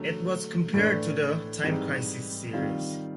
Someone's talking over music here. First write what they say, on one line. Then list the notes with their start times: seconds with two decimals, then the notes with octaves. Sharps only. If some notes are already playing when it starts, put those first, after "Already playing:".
It was compared to the "Time Crisis" series.
Already playing: D3 F#3 A3
0.74 A2 E3 A3 D4
1.63 G#2 E3 G3 C4 D#4
2.53 D#3 G3 C4 F4